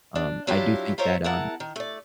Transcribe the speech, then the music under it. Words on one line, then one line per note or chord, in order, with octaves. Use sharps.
um, I do think that, um,
D4
F#3 D4 E4 F4 G4
F4 A#4 C5 C#5 E5
E2 E4 A#4 F#5 A5
D#3
A3 D5